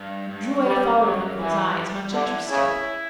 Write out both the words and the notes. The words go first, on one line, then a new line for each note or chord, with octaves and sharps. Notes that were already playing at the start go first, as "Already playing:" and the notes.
Drouet followed him with his eyes, much interested.
Already playing: G2
G2
F#2 G3
F#2 F#3
E3 G3
G3
D3 E4
C#3 E4